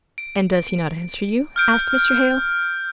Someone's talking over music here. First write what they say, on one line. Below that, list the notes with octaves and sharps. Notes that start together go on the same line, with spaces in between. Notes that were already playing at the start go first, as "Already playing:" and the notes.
'And does he not answer you?' asked Mr. Hale.
D7
F6 G6 D7